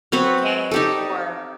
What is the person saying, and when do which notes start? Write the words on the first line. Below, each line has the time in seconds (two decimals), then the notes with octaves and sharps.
in cash or
0.12 F#3 C4 B4 C#5
0.71 D#4 G4 A4